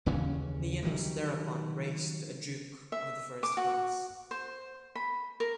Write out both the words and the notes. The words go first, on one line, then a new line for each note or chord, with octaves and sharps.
Nian was thereupon raised to a Duke of the First Class.
D#2 C#3 E3 C#4
D#3 F#3 G3
E5
D6
F#4
C5
B5
A#4